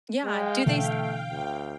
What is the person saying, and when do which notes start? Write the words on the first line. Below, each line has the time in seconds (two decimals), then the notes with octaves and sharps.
Yeah. Do they s
0.25 G#3 F5 G5
0.66 B2 D3 E3 A3
1.30 D2